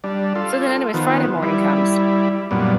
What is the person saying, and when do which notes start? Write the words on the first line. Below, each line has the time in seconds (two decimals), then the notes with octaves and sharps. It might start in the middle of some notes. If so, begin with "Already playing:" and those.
So then anyways, Friday morning comes
0.04 G3 D4
0.35 F4 A4
0.94 D#3 F3 B3
1.43 G3 E4
2.51 F#2 A#2 G3 B3